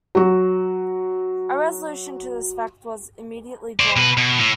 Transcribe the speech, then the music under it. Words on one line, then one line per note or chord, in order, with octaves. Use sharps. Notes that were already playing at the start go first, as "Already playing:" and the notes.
A resolution to this effect was immediately drawn up.
F#3 F#4
C5 D5
B2 B4
B2
A2